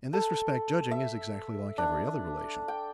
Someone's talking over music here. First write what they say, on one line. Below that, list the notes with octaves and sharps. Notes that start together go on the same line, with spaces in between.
In this respect, judging is exactly like every other relation.
A4
E5
D4
G5